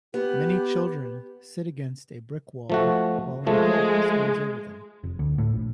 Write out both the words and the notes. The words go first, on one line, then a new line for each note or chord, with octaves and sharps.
Many children sit against a brick wall while an adult stands over them.
B3 G4
F3 A3 F#4
F3 G#3 A3
F1
D2
A2
A#1